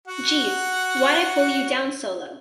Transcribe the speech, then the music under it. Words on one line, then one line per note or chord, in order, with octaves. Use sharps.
Geez, why'd I pull you down so low?
F#4 F#5